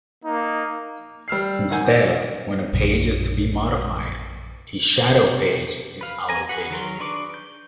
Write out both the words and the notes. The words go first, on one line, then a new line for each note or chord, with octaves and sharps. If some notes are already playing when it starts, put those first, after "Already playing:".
Instead, when a page is to be modified, a shadow page is allocated.
A#3 D#4
G3 E6 F6 C7
G#1 D#3 F#5 G#5 E6 G6
A#1 F#2 A#2 C#3
B4 F5
G#5 A#5
G#4 B4 F#5
D#3 F#3 A#4 C6
D4 G#4 B4 C#6 D6
G6